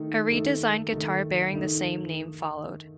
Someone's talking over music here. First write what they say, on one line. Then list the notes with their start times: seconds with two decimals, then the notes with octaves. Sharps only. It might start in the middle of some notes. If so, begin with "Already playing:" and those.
A redesigned guitar bearing the same name followed.
Already playing: D#3 A3 D#4
0.31 D#3 A3 D#4
0.92 D#3 A3 D#4
1.53 D#3 A3 D#4